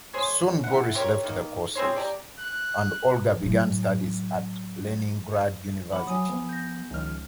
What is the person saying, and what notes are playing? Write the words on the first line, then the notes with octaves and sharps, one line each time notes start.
Soon Boris left the courses, and Olga began studies at the Leningrad University.
G#4 C5 C#5
E3 F#5
C4 G4 A#4 C#5
D#3 A#3
C4 G#4 C5 C#5
G4 D5 G#5 A#5
F#6
A2 F#3
F3 F#5 B5 D6
F#3 G#5 D#6
F3 B3
G6 A#6
C#2 D#3 F3 F6